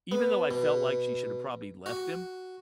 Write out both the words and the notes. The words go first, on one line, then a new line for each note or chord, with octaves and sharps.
even though I felt like she should have probably left him,
B3
B2
F#4